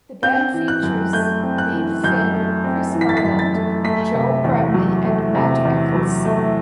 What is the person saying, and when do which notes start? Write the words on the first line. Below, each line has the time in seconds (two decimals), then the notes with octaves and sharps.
The band features Liam Finn, Chris Garland, Joe Bramley and Matt Eccles.
0.23 C4 G6
0.54 E3
0.68 F#6
0.83 F#2
1.13 A3 G6
1.43 C4
1.58 F#6
1.73 E3
2.04 F#2 G6
2.34 A3
2.64 C4
2.94 E3
3.01 B6
3.09 A6
3.17 B6
3.24 F#2
3.39 A6
3.54 A3
3.84 A3 B6
4.14 C3
4.44 E2
4.74 F#3
5.04 A3
5.35 C3
5.65 E2
5.95 F#3
6.25 A3